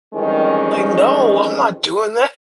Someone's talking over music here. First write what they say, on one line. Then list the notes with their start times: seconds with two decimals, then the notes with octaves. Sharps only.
Like, "No, I'm not doing that."
0.14 F2 D#3 E3 G3 G#3 C#4